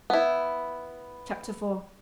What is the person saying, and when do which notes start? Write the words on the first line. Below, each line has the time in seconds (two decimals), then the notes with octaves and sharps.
Chapter IV.
0.10 B3 E4